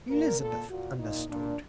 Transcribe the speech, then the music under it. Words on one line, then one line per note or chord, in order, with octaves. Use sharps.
Elizabeth understood.
A#2 A#4
A#2 A4
A#2 F#4
A#2 D#4
A#2 D4